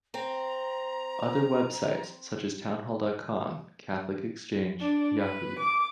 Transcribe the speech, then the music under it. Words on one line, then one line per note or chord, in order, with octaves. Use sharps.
Other web sites such as Townhall dot com, Catholic Exchange, Yahoo!
C4 A#5
D4
B4
D6